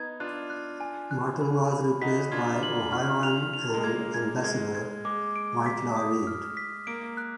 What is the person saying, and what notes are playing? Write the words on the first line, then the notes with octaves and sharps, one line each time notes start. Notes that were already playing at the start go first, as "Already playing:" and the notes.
Morton was replaced by Ohioan and Ambassador, Whitelaw Reid.
Already playing: B3 D#4 G#6
D4 F4 F#6
F#6
G#5
F#6
B5
B5
D#4 F#4 B6
D4 F4 G#6
F#7
F6
F7
F7
G#3
A#3 G#6
G#6
G#3 G#6
G#6
G#3 D6
D7
B6
D#6
F6
B6
A#3 D7
F#6